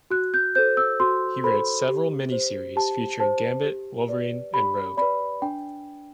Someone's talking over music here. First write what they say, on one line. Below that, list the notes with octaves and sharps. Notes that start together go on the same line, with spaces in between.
He wrote several mini-series featuring Gambit, Wolverine, and Rogue.
F#4 F#6
G6
A4 C5 G6
E6
F#4 C6
A4 C5 B5
G4
C5
G4 A5
C5 A5
G4
B4 D5
G4 B5
B4 D5 B5
D4 G5